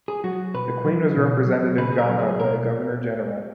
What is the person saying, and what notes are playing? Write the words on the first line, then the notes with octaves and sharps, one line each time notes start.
The Queen was represented in Ghana by a Governor-General.
G#4
F#3 F#4
B2 B4
F#3
B2
F#3
C#3 B4
G#4
A#4
F#3
G#4
B2 A#4